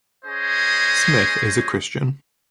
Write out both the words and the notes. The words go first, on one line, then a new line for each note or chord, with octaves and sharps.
Smith is a Christian.
C#4 G#4 C5 D#5